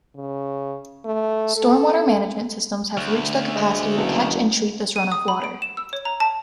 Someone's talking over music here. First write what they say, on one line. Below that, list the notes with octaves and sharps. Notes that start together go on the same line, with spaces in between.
Stormwater management systems have reached their capacity to catch and treat this runoff water.
C#3
A3
A4
D2
G#3
F#1 B2
D#7
D#6
B5
D7
E7
E6
C#5
A#5
A5